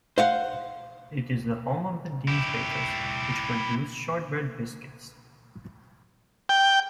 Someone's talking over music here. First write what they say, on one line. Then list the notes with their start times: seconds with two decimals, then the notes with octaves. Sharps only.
It is the home of the Deans bakers, which produce shortbread biscuits.
0.18 C5 F5 F#5
2.28 E4 G4
6.49 G5